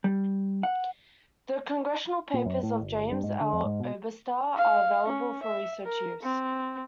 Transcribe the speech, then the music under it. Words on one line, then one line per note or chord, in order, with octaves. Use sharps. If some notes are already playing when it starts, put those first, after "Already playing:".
The Congressional Papers of James L. Oberstar are available for research use.
G3
F#5
A#2
F#2
A2
G1
G2
G#2
D3
F2
G#2
B2
F5
C#4
E5
A#4
C4